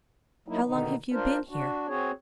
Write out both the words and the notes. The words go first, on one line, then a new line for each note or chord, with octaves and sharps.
"How long have you been here?"
F#3 A#3 D#4 E4
B2 D3 D#3 D#4
D4 F4 A#4 C5
D4 F#4
C4 F#4 G#4 C#5